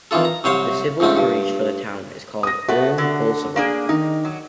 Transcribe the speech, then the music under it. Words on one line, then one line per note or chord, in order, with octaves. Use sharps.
The civil parish for the town is called Old Bolsover.
F2 D#3 E3 F4 A4
A#5
C2 F#3 C5 C#5 F5 C#6
F2 G#2 A3 C4 C#4
G2
D#6 A#6
A3 B3 F#4
D3
A#3 D4 G#4
D#3 D#4
F#3